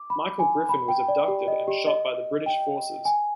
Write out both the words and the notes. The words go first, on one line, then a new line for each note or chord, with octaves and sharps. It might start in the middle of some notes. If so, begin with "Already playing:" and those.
Michael Griffin was abducted and shot by the British forces.
Already playing: D6
B5
G#5
B5
G5
D5
G4
D#5
G4
D#5
G5
G#5